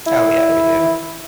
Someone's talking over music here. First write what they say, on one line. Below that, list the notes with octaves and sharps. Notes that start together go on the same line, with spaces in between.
Oh, yeah, we do.
E4